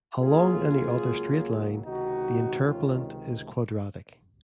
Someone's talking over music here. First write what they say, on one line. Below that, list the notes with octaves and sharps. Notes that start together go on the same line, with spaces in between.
Along any other straight line, the interpolant is quadratic.
C#2 C#3 F#3 A#3 F4 G#4
C#2 C3 D#3 D#4 F#4
C#4 F4